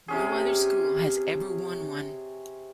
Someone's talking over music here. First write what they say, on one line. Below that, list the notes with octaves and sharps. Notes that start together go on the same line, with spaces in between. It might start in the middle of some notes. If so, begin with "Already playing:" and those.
No other school has ever won one.
C3 C#4 G#4